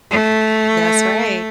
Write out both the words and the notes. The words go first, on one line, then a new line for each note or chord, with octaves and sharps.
That's right.
A3